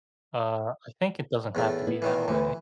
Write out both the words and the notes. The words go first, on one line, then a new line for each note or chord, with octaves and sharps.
Uh, I think it doesn't have to be that way.
E2 A2 A3
B3 E4
B2 D#3 E3
D2 E3 B3 B4